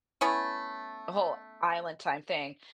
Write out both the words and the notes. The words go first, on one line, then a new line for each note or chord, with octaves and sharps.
a whole island time thing.
A3 B3 C#4 E4